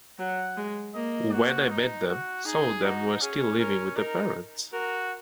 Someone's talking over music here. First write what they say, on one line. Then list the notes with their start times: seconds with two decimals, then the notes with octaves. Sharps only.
When I met them some of them were still living with their parents!
0.19 F#3 F#5
0.57 G#3
0.94 A#3 D#5
1.32 F#4
1.70 D#4
2.08 F#4
2.45 D#4 G#4
2.84 D#4 F#4
3.21 C#4 G#4
3.59 C#4 A#4
3.97 D#4 A#4
4.73 F#4 A#4